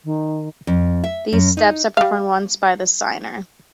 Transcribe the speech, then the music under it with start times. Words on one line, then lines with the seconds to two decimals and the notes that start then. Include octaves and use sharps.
These steps are performed once by the signer.
0.04 D#3
0.67 F2
1.04 E5
1.33 F#2
1.57 D#4
1.97 G3 F5